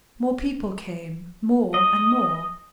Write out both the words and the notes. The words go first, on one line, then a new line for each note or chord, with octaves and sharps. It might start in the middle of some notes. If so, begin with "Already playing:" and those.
More people came--more and more.
D#5